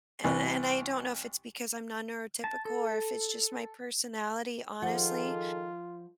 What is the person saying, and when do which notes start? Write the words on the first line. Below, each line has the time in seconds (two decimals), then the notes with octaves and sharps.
and and I don't know if it's because I'm non-neurotypical or if it's just my personality, honestly,
0.24 C2 E3
2.44 A5
2.65 A4
4.82 D#3 F3 F4 G#4 A4 F#5